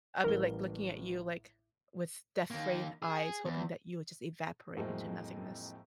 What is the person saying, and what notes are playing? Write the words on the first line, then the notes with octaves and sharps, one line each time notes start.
I be, like, looking at you, like, with death wraith eyes, hoping that you would just evaporate into nothingness.
A1 G3 A#4 G7
D#2 A#3
G#4
E2
F2 A2 F#3 G#3 A#3 C4